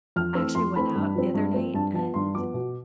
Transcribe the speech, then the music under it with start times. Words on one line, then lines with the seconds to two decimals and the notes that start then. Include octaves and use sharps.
actually went out the other night, and
0.16 F2 F6
0.35 E3 A3 C4 E6
0.55 F2 C6
0.76 E3 A3 C4 B5
0.96 G2
1.15 F3 C4
1.34 G2
1.54 F3 C4
1.74 G2 A5
1.94 F3 B3 A5
2.14 G2 C6
2.34 F3 B3 D6
2.54 B2